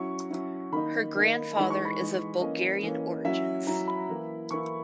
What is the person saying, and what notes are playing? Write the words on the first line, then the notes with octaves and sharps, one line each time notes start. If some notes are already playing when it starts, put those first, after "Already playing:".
Her grandfather is of Bulgarian origins.
Already playing: F#3 C#4 E4 C#6
F#3 C#4 E4
D#3 A#3 D#4 B5
D#3 A#3 D#4
E3 G#3 D#4 B5
C#6
B5
E3 G#3 D#4
E3 A#3 C#4 D#5
E3 A#3 C#4
F#3 C#4 E4 E5
F#3 C#4 E4 A#5
B5
E3 A#3 E4
E3 A#3 E4 C#6